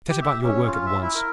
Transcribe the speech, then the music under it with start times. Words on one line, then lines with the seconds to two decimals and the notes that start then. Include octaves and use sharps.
'Set about your work at once.
0.09 G4
0.22 E5
0.43 C#4
0.67 F4
0.86 E5
1.01 E4
1.15 A#4